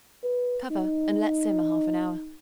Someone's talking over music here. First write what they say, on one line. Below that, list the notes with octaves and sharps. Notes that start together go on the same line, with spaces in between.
Cover and let simmer half an hour.
B4
D#4